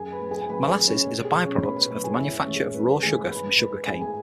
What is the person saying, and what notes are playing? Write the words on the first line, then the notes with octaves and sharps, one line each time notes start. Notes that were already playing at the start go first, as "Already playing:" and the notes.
Molasses is a by-product of the manufacture of raw sugar from sugar cane.
Already playing: F#2 G#4 G#5
B4 B5
F#3
G#4 G#5
G#5
F#2 B4 B5
G#4 G#5
F#3
C#4 C#5
B2
G#4
F#3
C#4 C#5
B2 B4 B5
B4 B5
F#3 B4 B5
G#4 G#5
C#5
F#2 E4 E5
C#4 C#5
E3 G#3
G#4
F#2 B4
E3 G#3 G#4 G#5
G#2 B4 B5
G#3 B4 B5
G#2 G#4 G#5
G#4 G#5